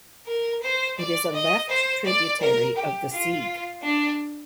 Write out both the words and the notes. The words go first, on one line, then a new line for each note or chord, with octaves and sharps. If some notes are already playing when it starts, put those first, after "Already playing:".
It is a left tributary of the Sieg.
A#4
C5
D5
D#5
C5
D5
A#4
G4
F4
D4